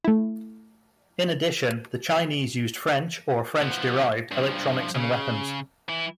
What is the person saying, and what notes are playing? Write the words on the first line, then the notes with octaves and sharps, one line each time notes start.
In addition, the Chinese used French, or French-derived, electronics and weapons.
A3 E4
F3 B3
G2 F3
C#3
E3 E4